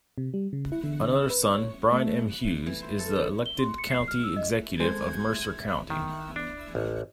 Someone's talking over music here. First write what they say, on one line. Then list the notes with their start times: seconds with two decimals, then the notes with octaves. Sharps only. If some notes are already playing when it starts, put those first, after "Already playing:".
Another son, Brian M. Hughes, is the elected County Executive of Mercer County.
0.18 C3
0.34 G3
0.53 C#3
0.72 E4
0.84 D3
1.03 D3
1.16 E6
1.30 B4
1.55 C#5
1.92 A3
2.66 E3
2.82 C5
2.99 A4
3.15 D3
3.46 G7
3.59 C6
3.78 C#7
3.90 C7
4.08 F6
4.23 E6
4.36 D#5
4.80 G#3 A4 C5 G#6
5.90 D#3
6.36 D4
6.75 A1